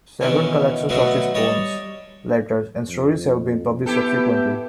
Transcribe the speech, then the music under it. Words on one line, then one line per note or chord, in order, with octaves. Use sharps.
Several collections of his poems, letters and stories have been published subsequently.
B2 D#3 E3 C#4
B2 D3 F#3 A3 D#4 F#4
G3 C#5 D#5 A5
F2
B3 E4 G4 A4